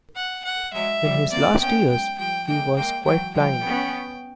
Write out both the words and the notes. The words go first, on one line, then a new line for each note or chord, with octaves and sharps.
In his last years he was quite blind.
F#5
F#5
F#3 G#3 E5
F3 G3
A#3 C4 D5
B3 C#4 G5
F#3 G#3 G5
F3 G3 G5
G#3 A#3 G5
G#3 A#3 G5
E3 F#3 G5
F3 G3 G5
B3 C#4